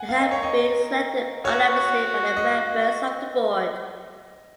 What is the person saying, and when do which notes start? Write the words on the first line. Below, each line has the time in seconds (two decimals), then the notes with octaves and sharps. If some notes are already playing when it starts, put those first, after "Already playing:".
He had been selected unanimously by the members of the board.
Already playing: F#5 G#5
0.08 A#4 F5
0.20 D#5
0.31 C#5
0.43 D#5
1.45 F#4 C#5
2.37 D#5